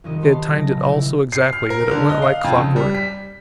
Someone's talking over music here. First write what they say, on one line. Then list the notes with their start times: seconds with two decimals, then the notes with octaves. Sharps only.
They had timed it all so exactly that it went like clockwork.
0.04 C2 F2 D#3 D#5 D#6
0.22 G4 C5 C#5 A5 B5 C6
0.47 F1 C#3 F#3 A5 A#6
0.66 A#1
0.86 C#3 E4
1.32 C7
1.53 F6
1.70 A#4
1.91 D3
2.09 D#5
2.22 F5
2.44 F2
2.58 C#3
2.76 G3
2.95 B6